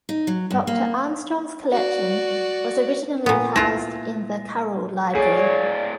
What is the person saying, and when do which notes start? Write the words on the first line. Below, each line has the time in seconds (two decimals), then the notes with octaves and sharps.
Doctor Armstrong's collection was originally housed in the Carroll Library.
0.09 D#4
0.27 F#3
0.51 G2
0.67 A#3
1.72 F#4 D5
3.26 A#2 B3
3.56 E4 F4 A#6
5.15 A2 G#4 C#5 D5